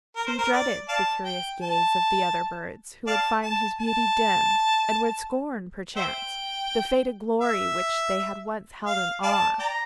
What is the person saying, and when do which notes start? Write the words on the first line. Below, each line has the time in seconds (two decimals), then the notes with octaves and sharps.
He dreaded the curious gaze of the other birds, who would find his beauty dimmed, and would scorn, perchance, the faded glory which they had once held in awe.
0.16 A#4
0.27 C5
0.38 A#4
0.53 D5
0.88 D5 F5 A5
1.24 G5
1.61 A5
3.07 D5 F5 A5
3.43 A5
3.79 A5
5.96 C5 E5 G5
7.41 E5
8.86 F5
9.23 D5 F5 A5
9.59 D5 G5 A#5